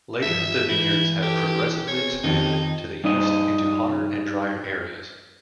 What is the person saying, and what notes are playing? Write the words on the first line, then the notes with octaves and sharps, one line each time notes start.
Later, the vineyards have progressively expanded to the east into hotter and drier areas.
G2 E5
E3 E4
G4 A4
B3 C4 G#4 C#5
F2 D#3 F3 C#4 D#4 G4 D#5
G2 D#4 D#5